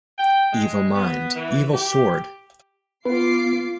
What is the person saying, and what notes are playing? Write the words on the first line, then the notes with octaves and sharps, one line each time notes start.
Evil mind, evil sword.
G5
G#3
B3
E3
G4
B3 F4 B4 D6 C7